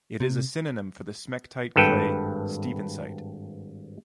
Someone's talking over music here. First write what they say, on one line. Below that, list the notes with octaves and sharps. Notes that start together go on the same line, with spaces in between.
It is a synonym for the smectite clay: stevensite.
C3
G#1 G2 A4 B4 G5